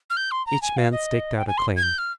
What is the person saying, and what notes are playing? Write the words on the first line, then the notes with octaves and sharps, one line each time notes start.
Each man staked out a claim.
F6
G6
C6
A#5
G#5
F5
D#5
G5
G#5
C6
G#6
G6
F6